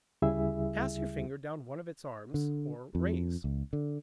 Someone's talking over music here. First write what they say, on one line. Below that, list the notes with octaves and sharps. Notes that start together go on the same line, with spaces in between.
Pass your finger down one of its arms, or rays.
D2 C#3 G3 E4 G#4 E5
D3
F2
C#2
D3